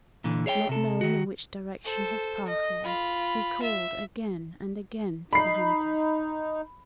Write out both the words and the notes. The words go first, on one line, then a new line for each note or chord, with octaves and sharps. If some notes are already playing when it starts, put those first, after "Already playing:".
Not knowing in which direction his path lay, he called again and again to the hunters.
A#2 D3 E3
G#4 C#5 E5 G5
C3 A4
D#3 F#4
A4 C5
D#5
F4 B5
E5
D#4 B5 C7